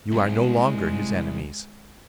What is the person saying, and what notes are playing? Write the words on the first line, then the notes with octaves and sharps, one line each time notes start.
You are no longer his enemies.
C2 G#3